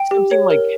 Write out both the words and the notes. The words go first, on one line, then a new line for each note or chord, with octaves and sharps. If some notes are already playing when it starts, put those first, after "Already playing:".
something, like,
Already playing: G5
G4
C#5
A#4